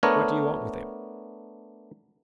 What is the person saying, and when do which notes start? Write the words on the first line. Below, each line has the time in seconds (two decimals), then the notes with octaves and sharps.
"What do you want with him?"
0.03 A3 B3 D4 A#4 C#5